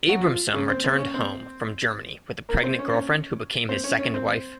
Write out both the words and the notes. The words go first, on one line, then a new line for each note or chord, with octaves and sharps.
Abramson returned home from Germany with a pregnant girlfriend who became his second wife.
F#3 F#4
F3 F4
C#3 C#4
C4 C5
C4 C5
C#4 C#5
C4 C5
A#3 A#4
C4 C5
C#4 C#5
C5
C#4 C#5
C4 C5
C#4 C#5
C#4 C#5
C4 C5